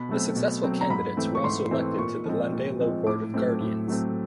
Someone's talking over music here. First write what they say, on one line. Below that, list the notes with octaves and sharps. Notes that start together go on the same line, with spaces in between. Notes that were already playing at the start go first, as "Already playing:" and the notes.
The successful candidates were also elected to the Llandeilo Board of Guardians.
Already playing: B2 B5
F#3 A3 C4
B2
F#3 A3 C4
A#5
G#2 B5
E3 A3 C4
C#6
G#2 C6
E3 A3 C4
A#2 C#6
F3 G#3 C4
A#2
F3 G#3 C4
A2 D6
F#3 A3 C4
A2
F#3 A3 C4